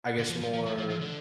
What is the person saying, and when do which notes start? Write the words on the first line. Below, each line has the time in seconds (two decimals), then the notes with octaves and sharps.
I guess, more
0.18 D3
0.29 F3
0.42 F3
0.53 F3
0.66 F3
0.78 F3
0.90 F3
1.01 D3